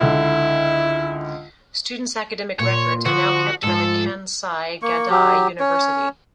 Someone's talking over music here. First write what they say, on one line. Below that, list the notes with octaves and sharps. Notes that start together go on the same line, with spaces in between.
Students' academic records are now kept by the Kansai Gaidai University.
C#2 D3 E4
A#2 C#5
D3 F3 F#4
G#2 F3 A4
A#3 C#6
F#3 G4
C#4 C#5